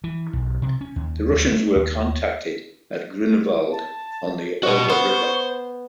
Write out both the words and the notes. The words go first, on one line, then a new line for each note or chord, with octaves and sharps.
The Russians were contacted at Grunewald on the Elbe River.
E3
B1
C3
C#4
D#2
D2
A3
D#2
A5
F#4 D#5 C#6
B3 C5